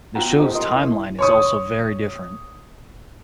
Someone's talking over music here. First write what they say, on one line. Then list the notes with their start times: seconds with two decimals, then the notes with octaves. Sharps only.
The show's timeline is also very different.
0.15 B3 F4 F#4 F#5 G5 A#5
0.40 D#4 F4 G4 A4 C5 D#5
0.54 A#4 D#5 C6
0.75 E4
1.19 C#5 C#6 D#6